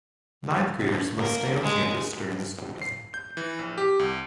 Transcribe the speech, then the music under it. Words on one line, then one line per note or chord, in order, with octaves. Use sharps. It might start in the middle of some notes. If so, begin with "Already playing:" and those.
Ninth graders must stay on campus during the school day.
A#3 A#4
G#3
C7
G6
E3
A#1
G4
C2